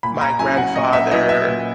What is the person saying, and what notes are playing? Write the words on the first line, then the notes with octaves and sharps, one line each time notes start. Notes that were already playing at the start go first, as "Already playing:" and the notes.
my grandfather
A#2 B5
A#5
F#3 C#4 E4 G#5
F#5
A#2 D#5
E5
F#3 C#4 E4 D#5
E5
A#2